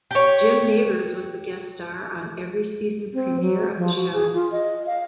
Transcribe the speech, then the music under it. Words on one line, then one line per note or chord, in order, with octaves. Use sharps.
Jim Nabors was the guest star on every season premier of the show.
G4 C#5
C4
F#3
F3
F#4
G#4
F4
D#5
F5